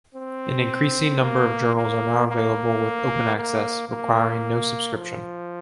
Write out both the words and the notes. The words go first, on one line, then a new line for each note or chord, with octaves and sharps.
An increasing number of journals are now available with open access, requiring no subscription.
C4
A#3
A#3
A#3
A#3
A#3
F3